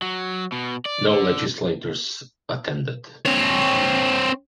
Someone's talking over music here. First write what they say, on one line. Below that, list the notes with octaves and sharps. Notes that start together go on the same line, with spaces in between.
No legislators attended.
F#3
B2
D5
D3
C4 C#5